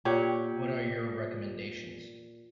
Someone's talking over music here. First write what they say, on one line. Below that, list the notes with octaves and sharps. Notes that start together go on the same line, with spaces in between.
What are your recommendations?
A#2 G4 C#5 F#5